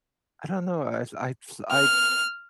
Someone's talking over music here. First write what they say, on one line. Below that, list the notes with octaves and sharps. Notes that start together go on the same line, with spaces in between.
I don't know, I I s I
F6